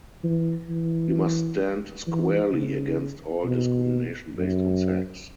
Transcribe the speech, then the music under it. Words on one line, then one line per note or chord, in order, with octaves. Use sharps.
We must stand squarely against all discrimination based on sex.
E3
E3
E3
C#3
B2
F#2